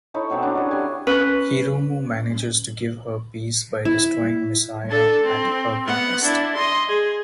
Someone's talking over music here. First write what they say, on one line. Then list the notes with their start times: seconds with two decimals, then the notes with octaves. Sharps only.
Hiromu manages to give her peace by destroying Messiah at her behest.
0.14 D#4 E4 A4 C#5
0.30 B2 F#3 C4
0.42 C#4 D4
0.55 E4 G#4 A4
0.71 F#3 G3 G#5
1.07 C#4 B4
3.85 E4
4.90 D4 A4
5.24 C4
5.86 B3 F#5
6.23 D4 E4
6.55 D#5 C6
6.88 G#4